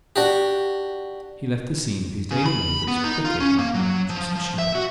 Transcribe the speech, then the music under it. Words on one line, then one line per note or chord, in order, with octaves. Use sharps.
He left the scene of his daily labours quickly like an unobtrusive shadow.
D4 F#4 G4
C#3
B5
B3
D#4
F4
C#4
A#3
F#3
F3
F3
E5
F#4